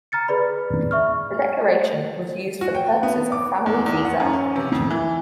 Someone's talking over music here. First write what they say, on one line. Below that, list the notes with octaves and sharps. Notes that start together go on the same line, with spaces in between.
The Declaration was used for the purposes of family visa application.
A#5 F6 A6 C#7
G#4 B4 D5 B5
E5 C#6 F6
F#4
G5
B3
D6
E2
E2
F#5
F#2
C#4
C3
F2
E3